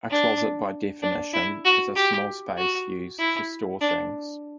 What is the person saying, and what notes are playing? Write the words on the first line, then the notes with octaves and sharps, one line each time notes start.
A closet by definition is a small space used to store things.
D4
D4
E4
F#4
G4
F#4
E4
D4